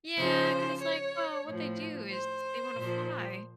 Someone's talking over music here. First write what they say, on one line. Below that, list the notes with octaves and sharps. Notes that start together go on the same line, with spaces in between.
Yeah, 'cause it's like, well, what they do is they wanna fly,
C#3 F3 C5
C#5
A2 F3
C5
A#2 F3